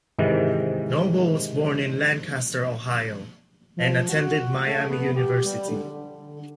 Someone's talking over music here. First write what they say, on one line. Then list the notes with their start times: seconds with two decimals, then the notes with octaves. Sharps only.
Noble was born in Lancaster, Ohio, and attended Miami University.
0.18 G#2 C3 D#3 E3
3.77 F3
4.09 F#4
4.66 A3
4.89 B3
5.15 G4
5.45 G3
5.68 D3